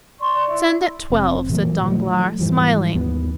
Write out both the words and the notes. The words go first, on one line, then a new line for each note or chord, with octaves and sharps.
"Send at twelve," said Danglars, smiling.
D5 C6 C#6
E4
F1 C4
A#2 E3 F#3 A#3
D#3 F3 F#3 A3
G#2 E3 F3 G3
D#2 B3